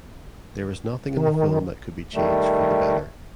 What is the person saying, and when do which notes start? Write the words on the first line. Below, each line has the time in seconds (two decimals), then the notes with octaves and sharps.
There is nothing in the film that could be changed for the better.
1.17 D#3
2.14 D#3 G3 A3